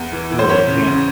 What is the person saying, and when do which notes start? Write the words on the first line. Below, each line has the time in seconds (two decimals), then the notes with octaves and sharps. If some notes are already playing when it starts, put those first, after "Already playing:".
True, yeah.
Already playing: E2
0.12 E3
0.30 E3
0.39 C5
0.49 E2 C#5
0.67 C#3
0.87 C#3